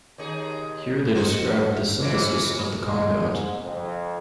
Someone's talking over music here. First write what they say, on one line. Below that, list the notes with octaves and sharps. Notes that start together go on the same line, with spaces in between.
Here they described the synthesis of the compound.
D#2 D#4 G#4
D#4 F#4 C5
F2 E3 F#3
G#3
G#2
F2